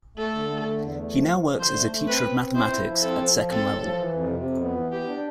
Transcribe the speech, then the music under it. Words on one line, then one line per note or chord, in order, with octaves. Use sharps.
He now works as a teacher of mathematics at second level.
A3 A4
D3
A3
D3
E2
A3
F3
F3
F3
D3 C5
A3
A3
C4 B4
C4
C4
E4 C5
E4
F3
C4 A4
F3
F3
C4 A4
A2
F3
E3
F2
C3
F2
B3
E3
B3 G4
D4